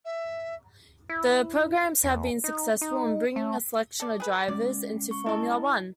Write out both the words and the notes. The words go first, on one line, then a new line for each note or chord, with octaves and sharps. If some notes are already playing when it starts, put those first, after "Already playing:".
The programs have been successful in bringing a selection of drivers into Formula One.
E5
E4
E2
D#4
D#4
A3
A4 D5
G#4 B4
G#3 C#4 D5
C#6
C#3 E4 A4 D#5